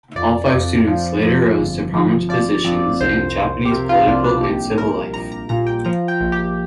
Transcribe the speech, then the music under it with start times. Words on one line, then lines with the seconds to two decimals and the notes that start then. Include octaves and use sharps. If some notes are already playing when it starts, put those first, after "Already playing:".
All five students later rose to prominent positions in Japanese political and civil life.
0.16 F2 D5
0.52 F2
0.87 F3
1.23 F2
1.58 G1
1.93 F3
2.29 F3 D5
2.64 F2 D5
3.01 C2 C5
3.36 C2
3.65 G4
3.71 C3 A#4
3.89 F4
4.08 C2 D4
4.24 D4
4.43 A#1 G4
4.78 A#1 A#4
5.14 A#1 A#5
5.32 A#5
5.49 A#2 A#5
5.67 G5
5.85 F3 A#5
6.08 G5
6.20 A#1
6.32 G4